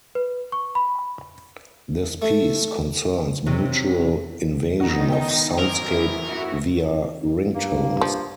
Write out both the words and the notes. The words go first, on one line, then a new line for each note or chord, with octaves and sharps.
This piece concerns mutual invasion of soundscape via ringtones.
B4
C#6
B5
A3
C3 F#3
B2 D#3 D#4 F#4
D#5 G5
A1 F#2 C4 A#4
E3 E4
E4 F#4
G2 A#3
F3